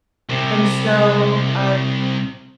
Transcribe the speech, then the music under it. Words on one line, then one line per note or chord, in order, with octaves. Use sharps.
And so, um
C2 C3